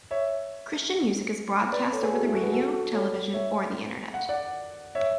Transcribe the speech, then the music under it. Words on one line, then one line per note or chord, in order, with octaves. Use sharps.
Christian music is broadcast over the radio, television, or the Internet.
C#5 E5
B4 D5
A4 C#5
G#4 B4
F#4 A4
E4 G#4
F#4 A4
G#4 B4
F#4 A4
F#4 A4
A4 C#5
C#5 E5
F#5
D5 F#5
C#5 E5